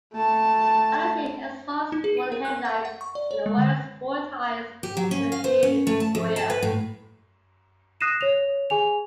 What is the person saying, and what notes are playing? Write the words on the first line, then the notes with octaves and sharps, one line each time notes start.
Under-seat exhausts, dual headlights and the widest sport tyres were de-rigueur.
A3 A5
D#4
G#4
D#7
A#4
F#6
F#5
F#5
C#6
D5
C#5
G#3
D3
G4
F#3
C#4
F5
C5
C#4
A3
A5
F2
A5
B4
A2
D#6 F#6 A#6 C7 D#7 E7
C#5 F7
G#4 G#5 F7